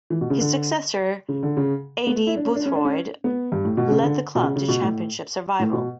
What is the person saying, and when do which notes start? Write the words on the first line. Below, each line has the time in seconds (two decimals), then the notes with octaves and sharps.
His successor, Aidy Boothroyd, led the club to Championship survival.
0.10 E3
0.21 B2
0.30 C#3
0.41 D3
1.28 C#3
1.43 D3
1.57 C#3
2.07 B3
2.16 A3
2.27 E4
2.36 D4
2.46 C#4
2.55 D4
2.66 C#4
2.76 D4
2.85 C#4
3.24 B3
3.52 G2
3.65 A2
3.77 B2
3.90 C#3
4.03 D3
4.35 B2
4.43 C#3
4.56 C#3
4.68 B2
4.82 A2
5.59 A2
5.73 B2